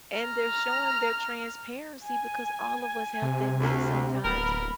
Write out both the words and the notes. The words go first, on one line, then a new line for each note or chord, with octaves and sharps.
and they're showing their transparency, because all of us have to admit sometimes
A#5 F6
G#5
C3
D2
D1 A#3 B3 A#4 B5